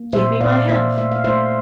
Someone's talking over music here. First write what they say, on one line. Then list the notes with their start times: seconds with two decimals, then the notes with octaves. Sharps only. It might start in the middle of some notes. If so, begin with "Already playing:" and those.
Give me my half.
Already playing: A#3
0.13 A#2 C5 E5
0.41 A#2 D5 F5
0.69 A#3 C5 E5
0.98 A3 E5
1.12 F5
1.24 A3 C5 E5